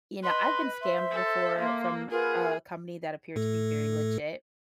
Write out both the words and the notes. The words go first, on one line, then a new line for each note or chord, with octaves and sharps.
you know I've been scammed before from a company that appeared to be very legit
B4 D#5 C6
C5 E5 C6
A4
A#3 F5 C6 D6
F4 G#4 A#4 B4 F#5
A2 A3 A4